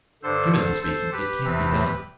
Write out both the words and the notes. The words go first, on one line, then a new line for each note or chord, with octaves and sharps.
Humanly speaking, it can't be done.
G2 D3 A4 C5
A4 C5
A4 C5
G4 B4
E2 C3 E3